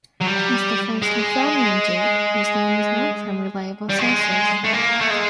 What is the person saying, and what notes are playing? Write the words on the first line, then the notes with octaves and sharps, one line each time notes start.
He is the first Lithuanian duke whose name is known from reliable sources.
F#3
G3
G#3
G3
G#3
A3
A#3
A3
G#3